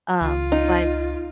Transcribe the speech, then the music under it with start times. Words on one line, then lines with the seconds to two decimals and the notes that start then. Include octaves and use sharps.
Um, but
0.21 C#2 F4
0.52 D#4